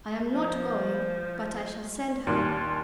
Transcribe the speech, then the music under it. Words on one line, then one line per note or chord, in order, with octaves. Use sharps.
"I am not going, but I shall send her."
F3
D#2 A#2 D4